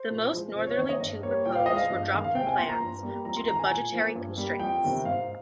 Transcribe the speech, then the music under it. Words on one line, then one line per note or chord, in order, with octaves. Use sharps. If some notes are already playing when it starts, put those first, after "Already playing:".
The most northerly two proposed were dropped from plans due to budgetary constraints.
Already playing: C5
A#2
F3 G#3
C3 C5
C#5
D#3 A#3 C#5
D#5
G2
G3 A#3 C#5
A#2 G5
F5
F3 G#3 D#5
F5
G2
D#3 G#3
F5
C3 G5
G#5
F3 A#3 C6
A#5
G2
G3 A#3
F2 A#5
C6
D#3 G#3 A#5
G#5
A#2
F3 A#3
G2
G3 A#3
F2 G5
C3 D#3 G3
G#2 F5